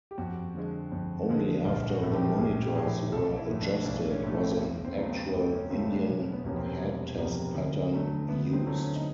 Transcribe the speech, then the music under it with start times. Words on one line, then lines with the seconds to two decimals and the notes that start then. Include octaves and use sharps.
Only after the monitors were adjusted was an actual Indian-head test pattern used.
0.11 G4
0.18 F2 F#4
0.54 D3 F3 G#3
0.92 F2
1.29 D3 F3 G#3
1.65 A#1 F4
1.90 F#4
2.02 A2 F3 A3
2.15 G4
2.38 A#1 G#4
2.65 G4
2.76 A2 F3 A3 G#4
3.12 B1 A4
3.37 E4
3.49 A2 F3 A3
3.62 D4
3.86 B1 D4
4.11 C#4
4.23 A2 F3 A3
4.35 C4
4.60 E2
4.85 C4
4.97 C#3 F#3 A3
5.05 B3
5.09 C4
5.34 E2 C4
5.53 C#4
5.70 C#3 F#3 A3 C4
5.89 D4
6.07 E1 C#4
6.32 B3
6.44 E2 C3 F3 A#3 C#4
6.57 C4
6.81 E1
7.17 E2 C3 F3 A#3
7.55 D2
7.92 D3 F#3 A3
8.29 D2 B3
8.53 C4
8.65 D3 F#3 A3
8.77 C#4
8.96 D#4